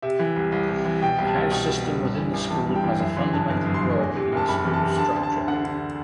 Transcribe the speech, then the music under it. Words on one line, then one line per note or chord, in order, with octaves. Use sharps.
The House System within the school has a fundamental role in the school's structure.
C3 E5
E3
C2
C2
C3
E3
B2 G5
C2
A5
C2
B2 G5
B2
C2
G2
E3
A1
A1 A5
G2
G5
E3
F#2 E5
E3 C6
G1 A5
G1
F#2
C6
E3
E2
C3
F#1 A5
F#1 B5
E2
A5
C3
D3 A5
D2
A5
D2
D3 F#5
D3